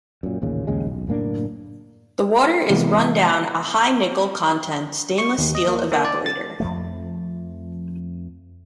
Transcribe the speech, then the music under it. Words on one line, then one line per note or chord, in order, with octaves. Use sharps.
The water is run down a high nickel content stainless steel evaporator.
F#2 A#2
A1 D#2 A#2 C#3
A#1 D#2 C#3 G#3
B1
F#1 A2 A#3 D4
C3 E3 G#3 A#3 B3
C#6
D#2
D#5
A#3
A#3
D5
A6
F2 F3 A3